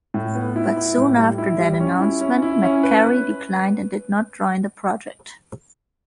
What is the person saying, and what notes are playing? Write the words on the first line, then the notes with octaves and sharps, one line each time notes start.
But soon after that announcement, McCary declined and did not join the project.
A2
B3
E4
E4
A2
G3
E4
G3
C#4
E4
C#4
E4
C#4
B4